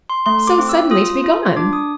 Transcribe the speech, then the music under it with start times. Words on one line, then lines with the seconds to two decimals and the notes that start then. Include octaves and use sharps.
So suddenly to be gone!
0.10 C6
0.26 A3 C6
0.47 D6
0.59 C4
0.69 E6
0.91 F4 D#6
1.24 F4
1.56 D4 D6
1.73 D#6